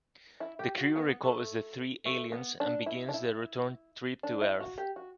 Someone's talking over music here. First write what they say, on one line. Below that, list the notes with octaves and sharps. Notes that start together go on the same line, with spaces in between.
The crew recovers the three aliens and begins the return trip to Earth.
E4
G4
F#4
B3
A3
A3
B3
D4
E4
D4
E4
D4
E4
F#4
G4
F#4